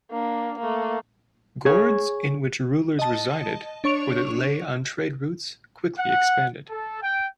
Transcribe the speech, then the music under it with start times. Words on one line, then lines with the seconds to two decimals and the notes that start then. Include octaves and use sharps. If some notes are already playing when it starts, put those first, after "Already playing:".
Gords in which rulers resided or that lay on trade routes quickly expanded.
0.11 A#3 D4
0.59 A3 A#3
1.65 G#4 C#5
2.99 D#5 A5
3.84 D4 C#5 C#6 D7 F7
5.97 F#5
6.68 A4
7.02 G5